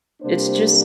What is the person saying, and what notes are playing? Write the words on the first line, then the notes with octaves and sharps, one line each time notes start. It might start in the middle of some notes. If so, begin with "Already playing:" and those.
It's just
C3 G3 A#3 D4 C5